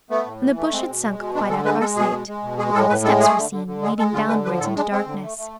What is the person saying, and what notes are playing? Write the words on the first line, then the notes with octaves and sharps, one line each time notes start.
When the bush had sunk quite out of our sight, marble steps were seen, leading downwards into darkness.
A3 B3
A2
E3
A3
G#3 C4
B2
G#3
B2
G#3 D4
D3 A4
G#3 B4
G#3 A4
B2 G#4
G#3
G#3
B2
G#3 G#4
A2 A4
A2 B4
G#3 A4
A3 G#4
D3
D3
D3
G#3 G#4
G#3 A4
D3 F4
D3 B4
F3 B4
A2 A4
G#3 D4
G#3 C4
D3
A3
A3